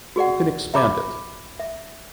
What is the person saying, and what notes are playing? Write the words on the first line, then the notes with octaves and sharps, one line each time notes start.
You can expand it.
F#4 G#4 D5 F#5
E5 A#5 B5 D6
E5